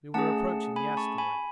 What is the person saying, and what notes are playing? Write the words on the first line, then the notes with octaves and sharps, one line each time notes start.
We were approaching the asteroid.
A3 C#4 G#4 F#5 A5
G#5 B5
A5 C#6
G#5 B5